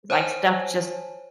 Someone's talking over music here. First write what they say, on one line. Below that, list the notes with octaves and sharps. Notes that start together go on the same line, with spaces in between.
like, stuff just
C5 C#5 G#5 A5